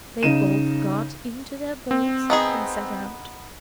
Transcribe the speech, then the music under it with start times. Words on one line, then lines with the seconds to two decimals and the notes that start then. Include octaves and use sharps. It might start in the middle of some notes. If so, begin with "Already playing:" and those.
They both got into their boats and set out.
0.23 C#3 D#4 D#7 E7
1.91 C4
2.30 B3 D#4 G#4